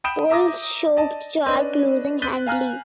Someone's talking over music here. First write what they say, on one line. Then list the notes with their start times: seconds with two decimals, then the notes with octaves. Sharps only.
Polls showed Clark losing handily.
0.04 G5 B5 D#6 G6 D7 E7
0.30 E5 A#5 D6 D#6 A#6
0.97 D5 D#5 A5
1.46 C#4 D4 B4 D#5
2.22 F#6 G6 A6 B6 D#7 G7
2.46 F5 G#5 A#5 F6 F#6